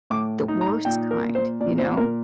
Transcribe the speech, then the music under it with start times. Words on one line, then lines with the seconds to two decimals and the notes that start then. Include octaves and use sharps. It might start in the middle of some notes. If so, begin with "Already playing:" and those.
The worst kind, you know?
0.10 A2 D6
0.48 D#4
0.61 A#5
0.85 A#2 G5
1.11 A#4
1.23 A#2
1.35 C5
1.61 A#2 D5
1.78 C5
1.97 A#2 A#4